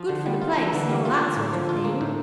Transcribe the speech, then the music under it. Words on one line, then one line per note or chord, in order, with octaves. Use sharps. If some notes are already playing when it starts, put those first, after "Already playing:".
"Good for the place--and all that sort of thing."
Already playing: F3
D3
G3
F4
E3 D4
D3
G3
F4
D3 A#3
A2
F3
F4
A#3
A2